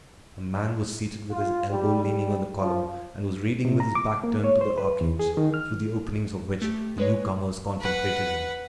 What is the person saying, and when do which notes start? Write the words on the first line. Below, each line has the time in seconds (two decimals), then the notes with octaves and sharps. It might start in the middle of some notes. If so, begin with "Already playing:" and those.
A man was seated with his elbow leaning on the column, and was reading with his back turned to the arcades, through the openings of which the new-comers contemplated him.
1.31 F4
1.70 G3
2.03 G3
2.59 F3
3.65 C3
3.80 A#5
3.95 D6
4.24 A#3
4.44 C#5
4.61 C5
4.78 B4
5.01 E2
5.19 G#4
5.37 D#3
5.54 F6
6.62 A3 G4
6.98 G#3 B4 C#5
7.81 B4 F#5